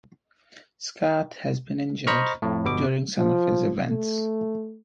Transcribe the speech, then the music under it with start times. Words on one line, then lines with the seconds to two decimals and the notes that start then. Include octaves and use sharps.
Scott has been injured during some of his events.
2.07 C5 D#5 A#5 B5 C#6 F6
2.42 F2 A2
2.65 G1 B2 D6
3.18 F3
3.89 A3